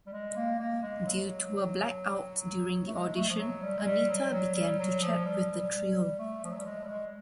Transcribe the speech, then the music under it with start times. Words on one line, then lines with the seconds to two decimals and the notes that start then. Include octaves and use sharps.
Due to a black-out during the audition, Anita began to chat with the trio.
0.06 G3
0.13 G#3
0.36 A#3
0.59 A#3
0.82 G#3
1.06 F#3
2.87 A3
2.92 G#3
3.16 A3
3.29 F3
3.39 F#3
3.63 G3
3.78 G#3
3.86 G3
4.09 F#3
4.32 F#3
4.56 G3
4.79 F#3
5.02 F3
5.26 G3
5.49 G3
5.72 G3
6.19 A3
6.44 F3
6.51 F#3
6.58 G3
6.65 G#3
6.84 G3
6.89 G#3